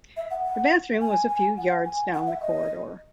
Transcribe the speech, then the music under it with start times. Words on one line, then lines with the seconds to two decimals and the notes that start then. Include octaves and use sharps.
The bathroom was a few yards down the corridor.
0.17 E5
0.31 F#5
0.45 F#5
1.01 G#5
1.29 G#5
1.57 F#5
1.85 G#5
2.14 F#5
2.27 E5
2.41 D#5